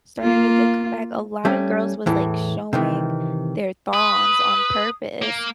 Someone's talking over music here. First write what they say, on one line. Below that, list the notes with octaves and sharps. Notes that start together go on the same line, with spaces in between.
started make a comeback, a lotta girls was, like, showing their thongs on purpose
A#3 F4
G3 A3 C#4
E2 A2 E3
C3 D#3 E3
B4 D#6
A#3